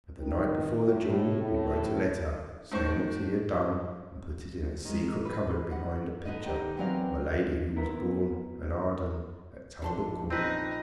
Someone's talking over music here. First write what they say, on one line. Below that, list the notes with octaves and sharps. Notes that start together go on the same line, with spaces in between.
But the night before the duel he wrote a letter saying what he had done and put it in a secret cupboard behind a picture of a lady who was born an Arden, at Talbot Court.
D#3
A2
A2
A2 D#4 C5 C#6
D#3 G#3
B4
F#5
D3 D#4 B4 D#5
D#3 D#4 G4
E3 F#3 C4 D4 A#4 F5
B3 E4 A#4
A#1 D3 A5 C6
C4 D#4 B4 D#5